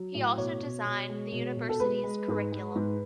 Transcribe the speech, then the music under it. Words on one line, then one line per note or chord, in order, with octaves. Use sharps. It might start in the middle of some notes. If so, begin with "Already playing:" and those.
He also designed the university's curriculum.
Already playing: F#3
A2
B2 C#5
B2
B2
G#3
B2
B2
A4
G#3 B4
G#3
G#2
G#3
G#2